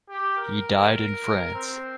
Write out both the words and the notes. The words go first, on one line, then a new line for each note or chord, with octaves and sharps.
He died in France.
G4
A#4
C4